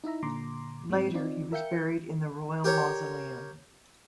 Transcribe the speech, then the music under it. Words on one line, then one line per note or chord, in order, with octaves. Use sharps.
Later he was buried in the royal mausoleum.
D#4 E4 E5 A#5
A#2 D3 A#5 C6 D6
G#2 F#3 G3 C4
C4 D#4 F4 D5
A#4 E5 F5 G5 G6 C#7
G4 A#4 C#5